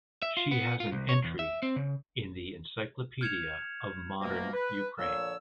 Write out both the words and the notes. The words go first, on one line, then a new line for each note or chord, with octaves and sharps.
She has an entry in the Encyclopedia of Modern Ukraine.
E5
F4
B3
F4
C2
C#5
E2
E5
C4
C#3
F6 G6 G#6 C#7 E7 F7
B2 F3 A3 A#3
B4
A#2 D3 F3 C#5 E6